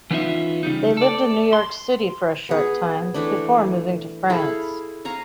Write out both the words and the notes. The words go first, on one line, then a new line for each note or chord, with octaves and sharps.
They lived in New York City for a short time, before moving to France.
E3 B3 C#4 D#4 F4 E5
C#3 G3 D#4
A4 D5
C6
B3 G#4
E3 A3 D4
E4 G#4 A4 F5
F5 G#5 A#5 C#6